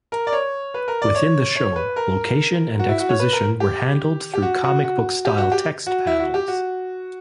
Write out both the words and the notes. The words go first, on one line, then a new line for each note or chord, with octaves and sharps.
Within the show, location and exposition were handled through comic book-style text panels.
A#4
D5
C#5
B4
A#4
D5
C#5
C#5
B4
A#4
F#4
E4
F#4
C#5
B4
A#4
G4
G4
F#4
F#4
F#4
G4
F#4
G4
F#4
E4
F#4
G4
F#4